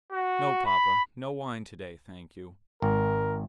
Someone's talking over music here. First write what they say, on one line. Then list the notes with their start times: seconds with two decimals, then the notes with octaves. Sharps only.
No, papa--no wine to-day, thank you.
0.12 F#4
0.66 B5
2.82 G#1 A#4